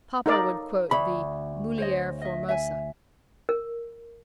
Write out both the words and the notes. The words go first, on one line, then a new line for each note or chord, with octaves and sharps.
"Papa would quote the 'mulier formosa'".
D#4 A4 A#4 C#5 D5 F5
D2 B5
C5 C#5 D#5
D#5 E5
E5 G#5
A#4